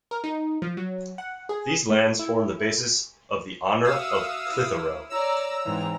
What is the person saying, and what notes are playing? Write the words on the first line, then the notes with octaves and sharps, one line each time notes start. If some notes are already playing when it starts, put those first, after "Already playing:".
These lands formed the basis of the Honour of Clitheroe.
A#4
D#4
F3
F#3
F#5
G#4
A3
E4
F#4 E5 F5 D#6 E6
E4
C#5 D5 A#5 E6
G#2 E3 C4 A#5